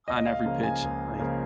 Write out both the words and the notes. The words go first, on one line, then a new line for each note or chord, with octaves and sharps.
on every pitch, like,
C#2 D#5
F5
C#3 F3 A#3
G#5
C#2
C#3 F3 A#3